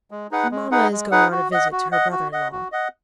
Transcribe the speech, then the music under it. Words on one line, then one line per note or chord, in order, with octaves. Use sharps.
"Mamma is going on a visit to her brother-in-law."
G#3
D#4 G#4 B4 F#5
G#3
D#4 G#4 B4 F#5
G#3
D#4 G#4 B4 F#5
F#4
D#5 F#5
F#4
D#5 F#5
F#4
D#5 F#5
F#4
D#5 F#5